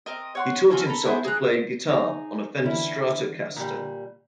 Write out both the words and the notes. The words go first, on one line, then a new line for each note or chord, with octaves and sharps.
He taught himself to play guitar on a Fender Stratocaster.
C4 A#4 D#5
C#5 F#5 C6
F4 F#4 G#4 A4
A4 A#5 B5
B3 E4 G#4 C5
G#4 A#5 F#6
D#4 G#4
D3 E3 C#4 D4 E4
A#2 G3